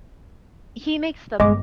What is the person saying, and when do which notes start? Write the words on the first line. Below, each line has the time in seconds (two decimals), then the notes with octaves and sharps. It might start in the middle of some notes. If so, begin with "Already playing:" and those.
he makes the
1.40 G1 G#3 D#5 D6